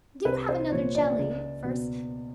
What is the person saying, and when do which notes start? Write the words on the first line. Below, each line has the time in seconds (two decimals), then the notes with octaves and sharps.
Do have another jelly first.
0.25 C2 B4
0.49 C5
0.72 A#2 F3 C#5
0.95 D5
1.18 C#2
1.65 B2